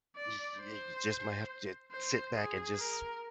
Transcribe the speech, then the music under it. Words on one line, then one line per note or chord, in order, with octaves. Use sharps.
y y you just might have to sit back and just
D5
C5
C5
G#4
A#4